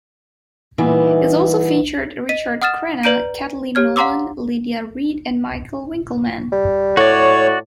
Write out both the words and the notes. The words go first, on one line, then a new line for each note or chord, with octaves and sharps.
It also featured Richard Crenna, Kathleen Nolan, Lydia Reed, and Michael Winkelman.
A#2 E3 G3 B3 D#4 E5
D#5 B6 D#7
F#5 D#6 F6 A6 E7
B4 D5 A#5 G6 D7 D#7
G4 C#5 F6 G#6
F5 F#5 A#5 C6 D6 E6
G3
A2 F#4 C#5 D5